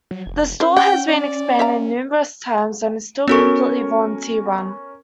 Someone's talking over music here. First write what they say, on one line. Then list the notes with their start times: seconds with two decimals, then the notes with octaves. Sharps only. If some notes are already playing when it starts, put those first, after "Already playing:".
The store has been expanded numerous times, and is still completely volunteer-run.
0.11 F#3
0.26 F1
0.60 C#4 A#4 C5
0.77 F#5 G5
1.08 D5
1.59 E5 F5 A#5
3.28 B3 C#4 F#4 A4 A#4 C#6